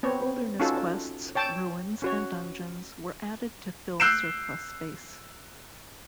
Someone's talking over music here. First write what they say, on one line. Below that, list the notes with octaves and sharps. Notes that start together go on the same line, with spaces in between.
Wilderness quests, ruins, and dungeons were added to fill surplus space.
B3 C4 C#5
C#4 D#4 F4 F#4 A4 A5
C#5 G5 A5
C#4 F#4 C#5
E6 F#6 G6 C7 D7 E7